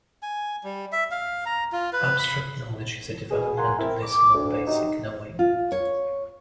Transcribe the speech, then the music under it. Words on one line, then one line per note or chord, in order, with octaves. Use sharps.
Abstract knowledge is a development of this more basic knowing.
G#5
G3
E5
F5
A#5
F4
B4
B5
B2 G#4
A#4 F5 F#5 G#5 A#5 C6
C4 E4 A#4
D6
D2
C3 F#3 D#4
F4
C#5